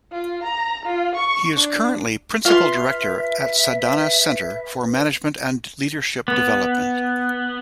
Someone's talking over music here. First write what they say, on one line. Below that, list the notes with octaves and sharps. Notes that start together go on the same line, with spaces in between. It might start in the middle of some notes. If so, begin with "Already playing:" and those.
He is currently Principal Director at Sadhana Center for Management and Leadership Development.
F4
A#5
F4
C#6
D4
F4 B4 E5 F5 C6
B3